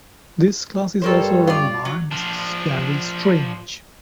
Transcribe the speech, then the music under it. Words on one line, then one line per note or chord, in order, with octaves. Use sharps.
This class is also run by Mrs. Cari Strange.
G2 G3 A4 A#4 C5 C#5
F4 D5
F#3
F3 D4